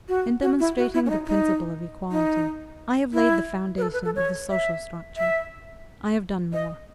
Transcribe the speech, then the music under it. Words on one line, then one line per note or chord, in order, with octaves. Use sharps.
In demonstrating the principle of equality, I have laid the foundation of the social structure I have done more.
F#4
F#4
E4
F#4
E4
C#4
D#4
D#4
D#4
E4
B4
A4
B4
A4
C#5
E5
E5
D#5